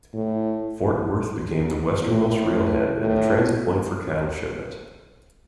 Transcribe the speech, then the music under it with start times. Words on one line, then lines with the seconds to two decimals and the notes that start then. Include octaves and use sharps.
Fort Worth became the westernmost railhead and a transit point for cattle shipment.
0.14 A2
2.04 A2
2.99 A2